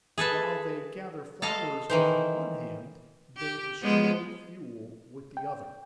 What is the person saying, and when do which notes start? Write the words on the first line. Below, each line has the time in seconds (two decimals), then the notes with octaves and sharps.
While they gather flowers with one hand, they destroy fuel with the other.
0.18 G#4 A4 B4 A5
1.42 A4 D#5 F5 A5
1.90 D#3 E3 C5
3.37 G4
3.82 F3 G#3 B3
5.37 G5